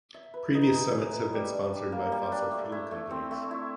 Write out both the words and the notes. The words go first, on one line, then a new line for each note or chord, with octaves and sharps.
Previous summits have been sponsored by fossil fuel companies.
E5
B4
D#4
G#4
E5
B4
G3
D4
G3
A#3
G3
D4
A3
E4
A3
C4
A3
E4